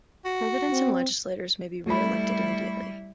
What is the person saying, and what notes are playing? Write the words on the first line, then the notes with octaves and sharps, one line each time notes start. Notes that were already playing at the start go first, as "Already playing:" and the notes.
Presidents and legislators may be re-elected immediately.
F#4
C4
G3 A3 E4 B5